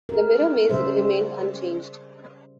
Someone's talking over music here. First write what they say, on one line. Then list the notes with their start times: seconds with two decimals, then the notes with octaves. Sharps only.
The Mirror Maze remained unchanged.
0.09 G#4 A#4
0.70 C#3 G3 C5 E5